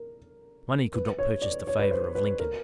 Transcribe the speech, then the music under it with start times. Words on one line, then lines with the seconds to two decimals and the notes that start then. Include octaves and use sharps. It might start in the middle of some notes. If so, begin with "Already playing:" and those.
Money could not purchase the favor of Lincoln.
Already playing: A#4
0.94 B4
1.19 C#5
1.42 D5
1.67 C#5
1.79 B4
1.91 C5
2.15 B4
2.40 A#4